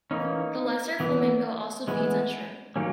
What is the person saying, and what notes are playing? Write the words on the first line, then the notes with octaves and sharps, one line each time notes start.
The lesser flamingo also feeds on shrimp.
E3 A#3 C#4 D#4
E3 B3
E3 G#3 B3
D#3 F#3 A#3 C#4